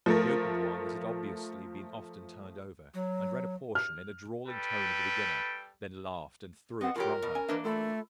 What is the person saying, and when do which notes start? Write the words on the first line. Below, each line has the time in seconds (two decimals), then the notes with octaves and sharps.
She opened one that had obviously been often turned over, and read a portion in the drawling tone of a beginner; then laughed, and threw it from her.
0.06 F3 A3 A#4
2.94 F#3
3.75 F6
4.48 G3 A4 B4 G5
6.81 B3 C4 D#5 F#5
6.96 A2 F#3 F4 G4 A#4 C#5
7.22 B2
7.35 C#4 G#5
7.48 E3 A#3 D4 B4 D#5 E5
7.64 A3 F4 A4 B5